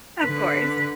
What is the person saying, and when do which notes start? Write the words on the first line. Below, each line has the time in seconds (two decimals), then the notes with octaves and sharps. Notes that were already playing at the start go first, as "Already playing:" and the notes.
Of course.
0.22 D3 B4